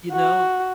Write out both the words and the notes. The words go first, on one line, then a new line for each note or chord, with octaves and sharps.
You know
F#4